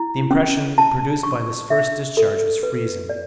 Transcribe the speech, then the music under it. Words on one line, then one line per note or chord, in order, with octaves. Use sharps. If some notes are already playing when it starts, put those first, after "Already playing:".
The impression produced by this first discharge was freezing.
Already playing: E4
C#4
A5
C#6
E5
A4
B4
D5